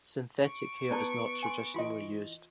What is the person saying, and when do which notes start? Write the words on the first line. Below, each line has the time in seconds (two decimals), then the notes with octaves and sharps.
Synthetic hair is not traditionally used.
0.43 C#6 D7
0.91 B3 E4 D5 A5
1.43 G#5 C6
1.74 E3 F4 D#5 C6